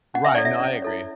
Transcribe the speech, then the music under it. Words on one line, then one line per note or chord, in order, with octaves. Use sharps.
Right, no I agree.
C#4 F#5
E5
E4 A4 C#5 D5
E5
C#4
E4 A4 C#5